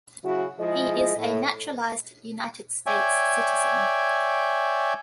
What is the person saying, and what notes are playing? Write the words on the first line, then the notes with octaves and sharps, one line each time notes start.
He is a naturalized United States citizen.
C#3 F#3 E4 F#4
F3 G#3 E4 G#4 D#5
A2
C#5 D5 E5 G5 G#5